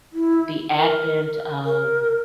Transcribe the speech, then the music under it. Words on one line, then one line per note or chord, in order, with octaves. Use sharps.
the advent of
E4
A#4
A#4